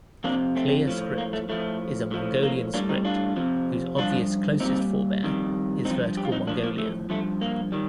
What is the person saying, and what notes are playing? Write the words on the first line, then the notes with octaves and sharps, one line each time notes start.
Clear Script is a Mongolian script, whose obvious closest forebear is vertical Mongolian.
F2 C3 F3 A#3 D4
A3 C4
A2 F3
A#3
A3
A2 F3 A3
A2 F3
A#3
A2 G3 A#3 D4
C4 D#4
D4 F4
F2 C3 F3
G2 F3 D4 F4
A#2 G3 C4 D#4
F2 D#3 G3
G2 C4 D#4
F3
G4
F4
C4 D#4
A2 F3 A#3 D4
A#3
A3
G2 F3 A3
A#3
D#3 G3